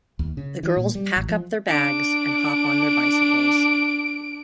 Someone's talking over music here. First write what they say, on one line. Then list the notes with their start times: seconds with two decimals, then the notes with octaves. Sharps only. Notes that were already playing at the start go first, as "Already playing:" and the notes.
The girls pack up their bags and hop on their bicycles.
0.19 D#2
0.37 C#3
0.63 E3
0.77 A#2
0.95 G3
1.16 A1
1.29 F3
1.68 D4 D7